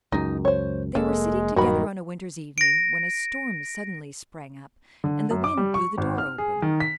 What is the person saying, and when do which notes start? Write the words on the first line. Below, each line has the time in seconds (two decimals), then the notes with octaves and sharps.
They were sitting together on a winter's evening, when a storm suddenly sprang up, and the wind blew the door open.
0.12 C#2 F#2 D#4
0.45 C5 C#5
0.95 F1 G#3 A#3 A4
1.56 D#1 G2 D#3 F#3 A#3 F#4 B5
2.58 A#6 D7
5.04 D3
5.31 F#2
5.44 D6
5.57 G3
5.74 C#6
5.98 G#1
6.18 F6
6.38 G#4
6.62 D#3
6.80 B6